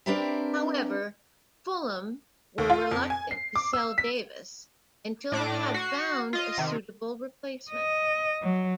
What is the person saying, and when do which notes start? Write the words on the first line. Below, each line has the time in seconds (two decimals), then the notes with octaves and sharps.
However, Fulham were reluctant to sell Davis until they had found a suitable replacement.
0.06 C4 D4 G4 A#4 B4 E5
2.58 D#2
2.70 F4
2.91 F2
3.10 G#5
3.31 C7
3.56 D6
3.73 E6
3.98 B6
5.32 A2 D4 D6 A#6
5.74 F#4 C7
6.33 F4 D#5
6.58 C3 D#3
7.71 D#5
8.42 F#3